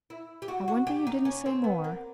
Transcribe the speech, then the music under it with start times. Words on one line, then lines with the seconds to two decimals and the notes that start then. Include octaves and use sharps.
"I wonder you didn't say more."
0.10 E4
0.42 G4
0.48 F#4
0.68 F#4
0.87 G4
1.07 D#4
1.25 C#4
1.46 C4
1.64 B3
1.84 A#3